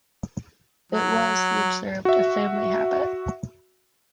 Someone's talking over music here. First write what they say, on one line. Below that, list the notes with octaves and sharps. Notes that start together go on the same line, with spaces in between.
It was, he observed, a family habit.
F#3
F#4 E5